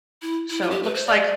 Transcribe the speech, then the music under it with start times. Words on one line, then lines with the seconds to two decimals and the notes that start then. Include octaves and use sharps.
so, it looks like
0.22 E4
0.50 E4
0.62 F4
0.70 G4
0.83 B4
0.95 C5
1.07 D5